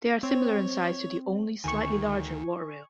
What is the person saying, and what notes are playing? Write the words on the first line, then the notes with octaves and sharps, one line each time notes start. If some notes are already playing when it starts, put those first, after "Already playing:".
They are similar in size to the only slightly larger water rail.
C4 C#5
D2 D#3 G#5 C#6